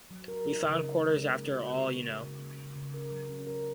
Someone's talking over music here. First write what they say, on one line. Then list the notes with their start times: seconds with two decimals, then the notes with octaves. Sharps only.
We found quarters after all, you know.
0.11 F#3
0.28 A#4
0.46 D#4
0.64 C#3
0.81 C#4
0.99 G#3
1.16 G#3
1.34 A#3
1.52 F#4
1.70 C#3
1.88 A#3
2.06 C#3
2.23 C#3
2.41 A#3
2.59 C#3
2.76 C#3
2.94 A#4
3.11 F#3
3.29 C#4
3.47 A#4